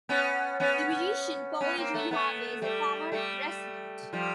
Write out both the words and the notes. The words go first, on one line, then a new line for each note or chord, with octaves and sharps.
The musician Polly Jean Harvey is a former resident.
B3 C#4
B3 C#4
B3 C#4
A#3 C4
A3 B3
A3 B3
G3 A3
G3 A3
F3 G3